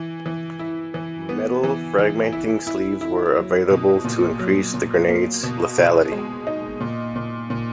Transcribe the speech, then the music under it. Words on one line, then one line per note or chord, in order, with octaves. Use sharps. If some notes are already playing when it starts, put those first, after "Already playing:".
Metal fragmenting sleeves were available to increase the grenade's lethality.
Already playing: E3
E3
E4
E3
B3
E3
E3
E4
E4
E4
F#3
B2
A#2
F#3
A#2
A#3
B2
B2
G#3
D#4
A#2
A#2
A#2